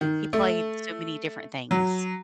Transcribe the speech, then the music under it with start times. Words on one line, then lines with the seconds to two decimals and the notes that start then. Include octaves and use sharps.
he played so many different things."
0.01 D#3
0.33 A3
1.71 F#3